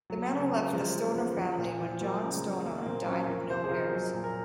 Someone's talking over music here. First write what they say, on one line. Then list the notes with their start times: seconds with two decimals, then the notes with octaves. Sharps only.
The manor left the Stonor family when John Stonor died with no heirs.
0.10 F#3
0.31 C#3
0.51 F#3
0.73 F3 G#3
0.95 C#3
1.15 F3
1.37 F3
1.58 A#2
1.80 F3
2.01 F#3 A#3
2.22 C#3
2.33 G#3
2.44 F#3
2.65 F#3 A#3
2.81 A#3
2.86 A#2 C4
3.07 F#3 C#4
3.28 F3 A#4
3.50 C3 C5
3.64 G#4
3.71 F3 A#4
3.92 F#3
4.13 A#2
4.24 A#4